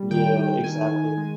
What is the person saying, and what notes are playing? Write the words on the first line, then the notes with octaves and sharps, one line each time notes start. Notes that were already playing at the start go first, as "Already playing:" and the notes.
Yeah, exactly.
Already playing: G3
D#3 G5
D#3
D#3 G#5
D#3
G#3